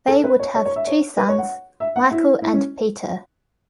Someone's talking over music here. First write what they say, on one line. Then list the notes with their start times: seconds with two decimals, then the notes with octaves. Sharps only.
They would have two sons, Michael and Peter.
0.08 A4
0.24 B4
0.39 C#5
0.55 C#5
0.65 C#5
0.76 E5
0.87 C#5
1.18 B4
1.29 C#5
1.38 F#5
1.80 E5
1.96 F#5
2.11 E4
2.42 E4
2.53 C#4